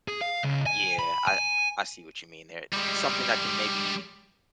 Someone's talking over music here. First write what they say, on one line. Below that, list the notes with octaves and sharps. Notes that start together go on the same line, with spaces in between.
Yeah, I I see what you mean there. Something that can, maybe,
G#4
F5
C#2
G#5
B5
G#5
G3 G#3